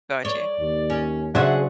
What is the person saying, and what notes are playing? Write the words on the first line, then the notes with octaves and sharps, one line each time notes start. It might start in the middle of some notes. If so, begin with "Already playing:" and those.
Got you.
C#5 D5
D#2
C#4
C#3 F#3 D4 G#4 C5 E5 F#5